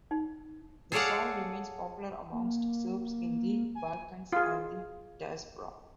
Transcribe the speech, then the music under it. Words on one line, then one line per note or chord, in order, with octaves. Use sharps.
The song remains popular amongst Serbs in the Balkans and the diaspora.
D#4
G#4 A4 C#5 D5 F5 F#5
A#3
G#5
F4 G#4